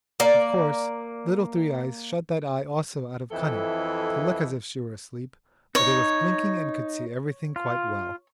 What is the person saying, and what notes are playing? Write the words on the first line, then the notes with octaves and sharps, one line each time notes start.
Of course Little Three-eyes shut that eye also out of cunning, to look as if she were asleep, but it was blinking and could see everything quite well.
A#3 D5
F2 E3 E4 A4 D#5
D#4 C#5
F4